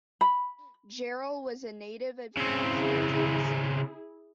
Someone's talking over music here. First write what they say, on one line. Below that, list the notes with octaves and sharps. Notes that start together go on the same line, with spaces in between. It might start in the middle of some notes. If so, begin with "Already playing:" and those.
Jarrell was a native of Nashville, Tennessee.
B5
C#3 C4 E4 G#4